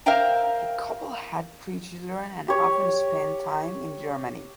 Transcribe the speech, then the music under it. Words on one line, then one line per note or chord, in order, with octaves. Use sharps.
The couple had three children and often spent time in Germany.
A#4 C5 E5 F5 G5 A#5
G4 C#5